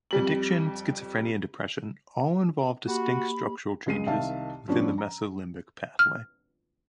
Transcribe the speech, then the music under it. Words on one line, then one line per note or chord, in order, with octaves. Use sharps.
Addiction, schizophrenia, and depression all involve distinct structural changes within the mesolimbic pathway.
F2 G3 F#7
A#3 F#4 G4 B5
C#2 G#3 C7 D#7
C2 D#3 E5 F5 A5
G2 F3 G3 B3 C#4 D4
A#5
F6